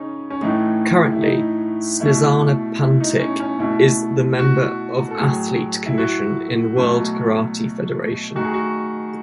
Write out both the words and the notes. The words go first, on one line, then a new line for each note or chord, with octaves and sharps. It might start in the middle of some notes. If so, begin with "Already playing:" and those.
Currently, Snezana Pantic is the member of Athlete Commission in World Karate Federation.
Already playing: C#3 C#4 D#4
C#4
A2 E3 A3 D#4
E4
D#4
B2 A3 E4
E4
D#4
C#4
C#4
B2 A3 E4
F#4
A4
A2 F#3 A3 G#4
E4
F#4
B2 F#3 A3
D#3 A3 F#4
G#4
F#4